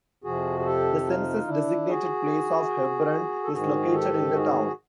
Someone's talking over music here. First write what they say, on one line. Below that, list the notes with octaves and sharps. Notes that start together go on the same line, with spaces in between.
The census-designated place of Hebron is located in the town.
F2 C3 F3 F#4 G#4
G#4
G4 A4
D#4 F4
D4 E4
F#4 G#4
A4
G#2 D#3 F#4 G#4
G4 A4
F#4 G#4